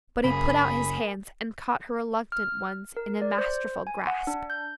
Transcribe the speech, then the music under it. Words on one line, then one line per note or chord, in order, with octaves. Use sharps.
But he put out his hands and caught her reluctant ones in a masterful grasp.
F#1 C#3 A#3 G#4 B5
F6
A#4
D5
C5
G#5
F#5
D4
G6